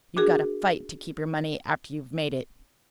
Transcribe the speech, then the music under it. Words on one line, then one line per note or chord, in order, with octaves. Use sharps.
You got to FIGHT to keep your money after you've made it.
D4 F#4 G#4 A#4